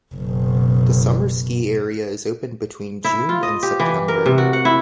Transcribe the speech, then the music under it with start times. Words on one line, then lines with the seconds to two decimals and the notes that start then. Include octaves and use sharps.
The summer ski area is open between June and September.
0.14 F#1 B2
3.04 E4
3.29 F4
3.43 D#5
3.63 G4
3.80 E3
4.08 A#4
4.26 C3
4.38 F#4
4.53 F#5
4.65 E4